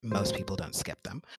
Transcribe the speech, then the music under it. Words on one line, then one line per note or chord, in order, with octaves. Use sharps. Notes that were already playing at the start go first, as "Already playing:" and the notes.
most people don't skip them,
A2 F#3 A3 C5